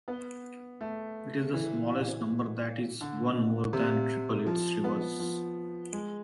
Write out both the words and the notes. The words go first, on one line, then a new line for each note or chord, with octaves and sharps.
It is the smallest number that is one more than triple its reverse.
B3
A3
E3
D3
C3
F3
B3
F3
G#3